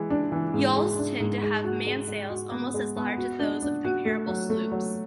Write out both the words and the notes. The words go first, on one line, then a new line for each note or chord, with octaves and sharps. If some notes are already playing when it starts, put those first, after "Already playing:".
Yawls tend to have mainsails almost as large as those of comparable sloops.
Already playing: E3 G#3
D4
E3
G#2
G#3
D4
G#2
G#3
F#4
G#3
G#3
F#4
B3
G#3
B3
F#4
D4
D4
F#4
A3
F#3
A3
F#3